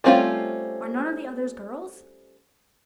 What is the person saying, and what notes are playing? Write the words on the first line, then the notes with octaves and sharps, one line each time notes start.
"Are none of the others girls?"
G3 A3 C4 C#4 F4